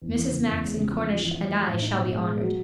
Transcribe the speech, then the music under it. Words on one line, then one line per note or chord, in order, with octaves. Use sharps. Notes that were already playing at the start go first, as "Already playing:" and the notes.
Mrs. Max and Cornish and I shall be honored.'
E2
E3
C#3
E2
G#3
C#3
F3
F3
E3
E3
A3
A2
D#4
B2
G#3
G#3
F#3